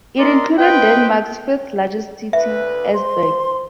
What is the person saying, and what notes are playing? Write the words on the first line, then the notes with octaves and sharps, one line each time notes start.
It included Denmark's fifth largest city, Esbjerg.
A#4 D5 D#5 C6
B4 C5 D#5 G5
D2 B4 E5
C5 C6